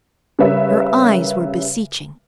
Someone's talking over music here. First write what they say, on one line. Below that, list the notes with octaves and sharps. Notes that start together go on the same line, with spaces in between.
Her eyes were beseeching.
C#3 G3 A#4 B4 C#5 E5